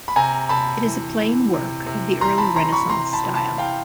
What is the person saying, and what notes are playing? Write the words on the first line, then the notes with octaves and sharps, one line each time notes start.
It is a plain work of the early Renaissance style.
B5
C3 G#5 A#5
C3 A5 B5
E3
E3
C3
C3
E3 A#5 C6
A5 B5
E3 A#5 C6
B5 C#6
C3 A#5 C6
A5 B5
C3
A5 B5
E3 F5 G5